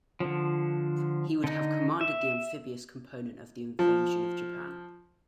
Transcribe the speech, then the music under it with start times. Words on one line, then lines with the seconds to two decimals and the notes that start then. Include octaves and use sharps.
He would have commanded the amphibious component of the invasion of Japan.
0.20 D3 F3
1.44 D3 D#4
2.01 E5
3.79 F3